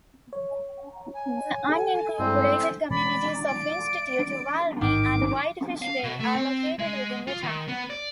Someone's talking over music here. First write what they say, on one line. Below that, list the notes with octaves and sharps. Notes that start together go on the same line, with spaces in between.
The unincorporated communities of Institute, Valmy, and Whitefish Bay are located within the town.
C#5
G#5
A4
G2 G#3 C4 E4 A4 D5
B2 E3 G#3 D5 B5
D7
A1 G#2 D#3 E3 D6
F5
B2
A3
C4
G#3
F4
D#3
B3
D5